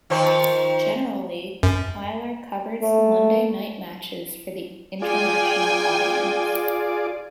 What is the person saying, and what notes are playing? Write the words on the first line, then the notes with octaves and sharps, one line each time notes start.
Generally Tyler covers the Monday night matches for the international audience.
D#3 F3 C5
F#2
A3
F4 G#4 D5 G5 G#5